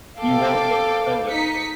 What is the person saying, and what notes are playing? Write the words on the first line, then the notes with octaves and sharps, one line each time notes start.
You won't get to spend it.
A4 F5 G5 D6
D#4 B6 C#7